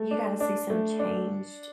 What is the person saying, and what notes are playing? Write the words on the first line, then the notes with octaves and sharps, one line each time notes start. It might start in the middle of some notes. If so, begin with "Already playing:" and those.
you gotta see some changed
Already playing: A3
D4
D4
A3
D4